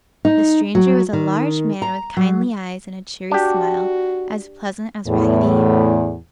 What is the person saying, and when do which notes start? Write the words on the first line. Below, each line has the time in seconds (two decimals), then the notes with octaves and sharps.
The stranger was a large man with kindly eyes and a cheery smile, as pleasant as Raggedy Ann's.
0.25 D#4
0.75 F#3
1.13 D#3
1.82 A#5
2.17 F#3
3.31 D4 F#4 G4
5.07 E2 A2